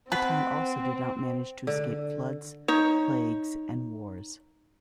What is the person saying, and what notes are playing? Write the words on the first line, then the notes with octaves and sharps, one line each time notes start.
The town also did not manage to escape floods, plagues and wars.
B2 B3 C4 B4
D3
D#4 C#5